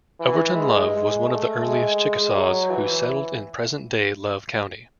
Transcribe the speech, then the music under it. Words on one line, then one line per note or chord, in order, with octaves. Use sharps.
Overton Love was one of the earliest Chickasaws who settled in present-day Love County.
E3
G#3
G#3
A3
G#3
F#3
E3